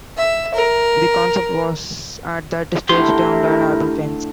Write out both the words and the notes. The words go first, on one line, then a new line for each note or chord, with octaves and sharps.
The concept was at that stage termed an Urban Fence.
E5
A#4
A2 D3 E4 G4 A#4 C6